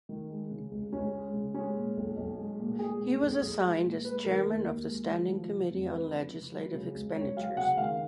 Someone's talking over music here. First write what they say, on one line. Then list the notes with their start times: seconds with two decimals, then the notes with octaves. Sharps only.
He was assigned as chairman of the standing committee on legislative expenditures.
0.09 D#3
0.30 G#3
0.51 C#3
0.71 C#2
0.93 C#2 C#4
1.13 G#3
1.34 C#3
1.54 G#3 C#4
1.76 A#2
1.97 B1
2.17 B1
2.38 G#3
2.59 A#2
2.79 G#3 G#4
3.00 A#2
3.21 B1
3.41 B1
3.62 G#3
3.84 A#2
4.05 G#3 B4
4.25 D#3 A#4
4.45 D#2 A#4
4.66 D#2
4.87 G#3
5.08 D#3
5.28 F3
5.49 C#3
5.70 F2
5.91 F2 B4
6.12 F3
6.32 C#3
6.54 F#3
6.74 C#3
6.95 C#2
7.16 C#2 C#5
7.36 F#3 F5
7.57 C#3 F#5
7.77 D#3 F5